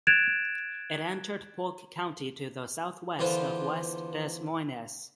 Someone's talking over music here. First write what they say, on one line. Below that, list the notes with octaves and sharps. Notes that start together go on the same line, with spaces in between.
It entered Polk County to the southwest of West Des Moines.
F#6 G#6 A6 D7 E7 F7
E2 D3 F4 B4 C5